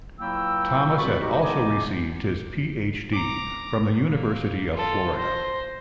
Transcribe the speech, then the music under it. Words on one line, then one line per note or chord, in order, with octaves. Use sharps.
Thomas has also received his Ph.D. from the University of Florida.
C#2 F#3 A#3 E4 G5 E6
F2 G3 F4 F#4 B5 C#6
G#3 D#4 F#4 G4
C#3 G#3 B3 D#4 G#5 D6
A#5 D6
A#3
F4 A4
C5 A#6